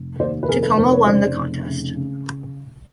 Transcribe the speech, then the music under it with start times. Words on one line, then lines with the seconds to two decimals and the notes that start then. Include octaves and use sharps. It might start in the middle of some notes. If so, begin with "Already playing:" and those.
Tacoma won the contest.
Already playing: F1
0.19 D#2 C5 D5
0.43 B4
0.48 F1 G#4 A#4
0.63 A4 B4
0.78 F1 A#4 C5
0.92 B4 C#5
1.06 C#3 C5 D5
1.36 F1
1.65 C#3
1.94 C#3